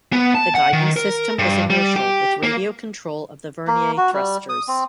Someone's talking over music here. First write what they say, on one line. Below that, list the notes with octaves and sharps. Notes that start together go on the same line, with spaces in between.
The guidance system was inertial with radio control of the vernier thrusters.
B3
A5
F#5
D#3
A#4
G2
G3
G4
A#3
A#3
F#4
G3
D#6
C4